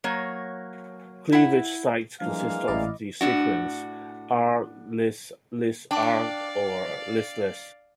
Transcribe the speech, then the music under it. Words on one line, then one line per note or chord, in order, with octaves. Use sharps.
Cleavage sites consist of the sequences Arg-Lys, Lys-Arg, or Lys-Lys.
F#3 A#3 C#5
E4 F#5
E3 F3 G3 G#3 A#3 D4 F5
A1 E4 D5 D#5
A2 D4 F#4
D4 D5 F5 G5 A5 D6